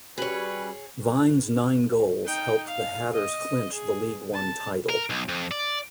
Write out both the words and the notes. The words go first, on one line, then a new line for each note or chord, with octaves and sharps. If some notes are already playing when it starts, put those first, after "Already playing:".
Vine's nine goals helped the Hatters clinch the League One title.
G3 C#4 F#4 G#4 B4 C#5 F#7
D#4 G5
F5
D#5
G#4
A5
A#4
B1
F2
D5